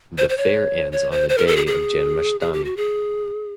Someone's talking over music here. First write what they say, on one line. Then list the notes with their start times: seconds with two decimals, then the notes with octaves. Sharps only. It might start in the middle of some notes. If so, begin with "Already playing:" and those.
The fair ends on the day of Janmashthami.
0.18 C5
0.29 C5
0.37 C#5
0.92 C#5
1.11 C5
1.29 C5
1.38 A#4
1.47 A4
1.56 G#4
1.67 G#4
2.41 G#4
2.53 G4
2.65 F#4
2.77 G#4